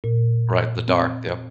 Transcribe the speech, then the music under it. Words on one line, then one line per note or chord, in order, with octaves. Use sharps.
Right, the Daughter Yup.
A#2
C4